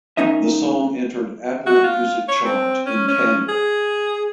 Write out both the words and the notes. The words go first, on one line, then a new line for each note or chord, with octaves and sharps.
The song entered Apple Music chart in Canada.
A#3 C#4 D#4 D#5 E5
F#4
F4
C#5
C4
C#4
C#4
G#4